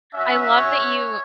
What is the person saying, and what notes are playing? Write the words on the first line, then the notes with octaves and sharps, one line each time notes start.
I love that you
C#4 F#4 E5
C#5